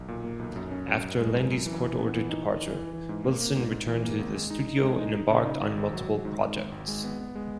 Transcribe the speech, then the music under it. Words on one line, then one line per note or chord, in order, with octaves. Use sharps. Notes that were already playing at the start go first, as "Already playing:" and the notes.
After Landy's court-ordered departure, Wilson returned to the studio and embarked on multiple projects.
Already playing: B1
A#2
A#3
B1
F#2
C#4
F#2
F#2
G#3
F#2
F#2
E3
E3
B3
E3
D#4
D#4
E3
E3
E3
G#2
A#3
A#3
G#2
G#2
E3
A#3
G#1
G#3
D#4
D#4
G#3
D#4
D#4
C#3
D#4
G#1
G#1
F#3
G#1
G#2
G#2
G#1
G#1
G#3
B3
B3
G#3